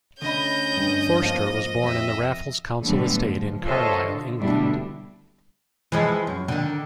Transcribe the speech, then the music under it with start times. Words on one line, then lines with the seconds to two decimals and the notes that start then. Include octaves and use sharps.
Forster was born in the Raffles council estate in Carlisle, England.
0.22 D2 D3 C#4 D#5 B5 G6
0.77 G2
1.22 F3 A#3 F4
1.83 F2 E5
2.81 A2 D3 E3 F#3 G3 B3
3.22 F3
3.63 F4 A4 C5 C#5 D#5 E5
4.03 D3
4.40 B2 D3 G3 A3 D4 E4
5.92 E3 F3 G#3
6.27 F#2
6.48 D3 D#3